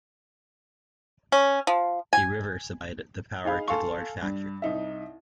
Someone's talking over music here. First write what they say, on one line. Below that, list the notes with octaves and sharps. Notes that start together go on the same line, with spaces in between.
The river supplied the power to this large factory.
C#4
F3
G#5
D#4 G#4 F5 B5
A4 F5 G#5 C6 C#6
G2
C2 D#4 E5